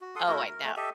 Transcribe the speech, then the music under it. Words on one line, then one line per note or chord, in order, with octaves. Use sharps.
Oh, I know.
F#4
A4 F#5 C6 D#6
A3 E4 F#4 A#4
A#4
A3
G4 A4 D#5 E5